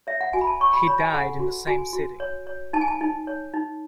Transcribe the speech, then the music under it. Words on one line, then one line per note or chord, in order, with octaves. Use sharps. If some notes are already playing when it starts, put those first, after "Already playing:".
He died in the same city.
C#5 E5
F#5
F#4 G#5
B5
A5
C#5 C#6
B5
C#5 B5
G#5
A4 F#5
F#4
F#4 G#5
F#4
C#5
C#5
D#4 A5
G#5
A5
D#4
C#5
D#4